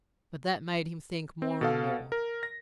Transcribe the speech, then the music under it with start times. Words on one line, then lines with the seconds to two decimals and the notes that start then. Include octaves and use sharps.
But that made him think more and more.
1.42 C4
1.61 B2 A4 F5
2.12 A#4
2.43 A#6